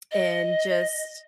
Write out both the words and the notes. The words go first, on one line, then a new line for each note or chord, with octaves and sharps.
and just
D#5